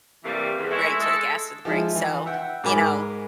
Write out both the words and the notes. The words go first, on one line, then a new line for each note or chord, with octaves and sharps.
brake, to the gas to the brake, so, you know.
C3 E3 G3 A3 A#3
E2
G#3 A3 E4
G#3 A4
F3 G#3 E4
E3
E5 F#5 G5
G#2 G#3 A#4 G#5 B5 D6